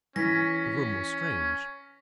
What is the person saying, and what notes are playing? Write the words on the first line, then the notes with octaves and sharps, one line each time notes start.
The room was strange!
E3 C#4 A#6 B6